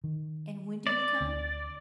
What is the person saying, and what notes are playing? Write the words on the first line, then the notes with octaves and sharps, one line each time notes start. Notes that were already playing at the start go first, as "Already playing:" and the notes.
"And when do you come?"
D#3
D5
D2